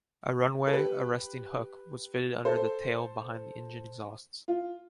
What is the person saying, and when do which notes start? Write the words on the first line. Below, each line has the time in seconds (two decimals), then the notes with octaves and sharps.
A runway arresting hook was fitted under the tail behind the engine exhausts.
0.67 A4
0.73 G4 B4
2.45 A4 C5
4.48 F4